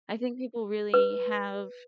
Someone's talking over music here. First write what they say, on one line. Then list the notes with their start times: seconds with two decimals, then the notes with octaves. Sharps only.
I think people really have
0.94 B4